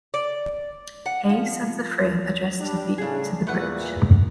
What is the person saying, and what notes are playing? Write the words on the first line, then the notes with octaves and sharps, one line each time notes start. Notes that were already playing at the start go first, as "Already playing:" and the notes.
A sends a frame addressed to B to the bridge.
D5
F#5
F3
G3 D4
A2 C#3 D4 G#4
E2 A#2 A3 B4 F#5